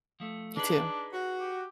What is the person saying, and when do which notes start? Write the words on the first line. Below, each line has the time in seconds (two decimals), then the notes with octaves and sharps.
You too.
0.20 F3 A3
0.57 D4 D#4 G#4 B4
1.13 F#4
1.40 G4